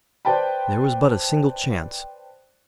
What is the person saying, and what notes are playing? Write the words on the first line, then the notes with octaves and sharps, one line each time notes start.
There was but a single chance.
B4 C5 D5 G5 A5 B5